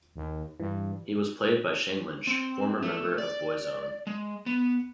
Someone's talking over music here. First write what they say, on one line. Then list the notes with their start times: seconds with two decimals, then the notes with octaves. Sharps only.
He was played by Shane Lynch, former member of Boyzone.
0.16 D#2
0.60 G2 E3
2.27 C4
2.83 A3
3.18 D5
4.07 G#3
4.46 B3